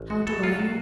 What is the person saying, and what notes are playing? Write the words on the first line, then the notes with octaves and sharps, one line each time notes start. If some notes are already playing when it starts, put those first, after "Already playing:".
How do I know?
Already playing: A1
F#4
A2 F#3 A4
F4
F#4